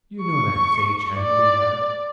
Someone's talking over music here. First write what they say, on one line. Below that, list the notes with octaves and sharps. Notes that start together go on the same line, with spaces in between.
"You know that sage hen we had?"
C#6
D5